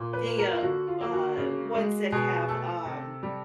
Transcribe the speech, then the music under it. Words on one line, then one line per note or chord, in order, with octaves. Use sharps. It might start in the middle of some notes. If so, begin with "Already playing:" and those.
the, uh uh, ones that have, um
Already playing: A#2
B4
A#3
A#4
F4
D3 F#4
F4
A#3
F#4
C#3
G#3
B2 G#4
A3 A4
C3
G3